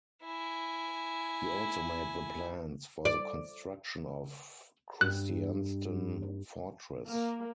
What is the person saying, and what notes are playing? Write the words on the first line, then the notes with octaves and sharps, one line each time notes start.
He also made the plans for the construction of Kristiansten Fortress.
E4 G#5
D5
G2 F#6
A#3